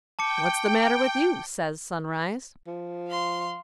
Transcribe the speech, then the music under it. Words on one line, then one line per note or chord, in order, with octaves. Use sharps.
"What's the matter with you?" says Sunrise.
G5 A5 D6 C#7
F3
F5 C6